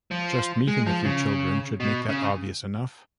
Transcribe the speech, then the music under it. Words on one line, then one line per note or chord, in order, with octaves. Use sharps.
Just meeting a few children should make that obvious enough.
F3
G#3
F3
C#3
B2
C#3